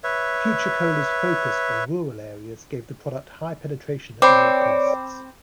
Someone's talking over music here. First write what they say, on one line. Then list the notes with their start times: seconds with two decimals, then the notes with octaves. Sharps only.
Future Cola's focus on rural areas gave the product high penetration at lower costs.
0.04 B4 C#5 E5
4.22 C4 C#5 D5 G5 B5 D6